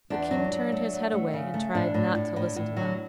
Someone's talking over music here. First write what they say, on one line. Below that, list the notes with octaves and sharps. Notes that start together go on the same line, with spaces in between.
The King turned his head away and tried not to listen to them.
E2 D4
F#3
F#3
A3
F#3
A3
C#3
A3
A2 D4
A2
A2
A2
A2
F#3